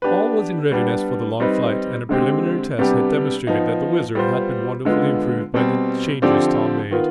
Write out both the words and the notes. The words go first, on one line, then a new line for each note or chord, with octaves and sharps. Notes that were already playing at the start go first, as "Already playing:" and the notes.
All was in readiness for the long flight, and a preliminary test had demonstrated that the WHIZZER had been wonderfully improved by the changes Tom made.
B3 D4 G4 B4
G3 B3 D4
G3 C4 D#4 B4
D3 G#3 C4 G4
C3 G3 B3 D4 G4
F3 B3 D#4
G3 B3 F4 C5
D3 G#3 B3 F4
B2 G3 C4
D3 F3 C4 G4 D5
D#3 B3 F4